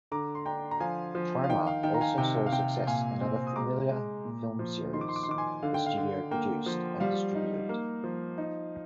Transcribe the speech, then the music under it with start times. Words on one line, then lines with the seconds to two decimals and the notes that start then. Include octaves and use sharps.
Trimark also saw success in other familiar film series the studio produced and distributed.
0.12 D3 A#5 D6
0.35 C6
0.46 D4 G5 A#5
0.71 A#5
0.80 F3 F5 G#5
1.15 F3
1.44 F5
1.50 D#3 G5
1.67 F5
1.83 D#3 G5
1.94 A#5
2.01 F5 G#5
2.18 C3 G5
2.46 F5
2.52 C3 G5
2.87 A#2 F5 G#5
3.21 C4
3.47 D#6
3.56 G#3 A#5 D6
3.90 G#3
4.25 A#2
4.59 F3
4.93 D#3 C6
5.01 D6
5.09 C6
5.16 D6
5.23 C6
5.29 D#3 D6
5.38 G#5 C6
5.63 D3 F5
5.74 G5
5.86 F5
5.97 D3
6.31 A#3 G5
6.66 F3
7.00 G3 F5
7.35 D#4
7.69 A#3
8.04 F3
8.38 D#4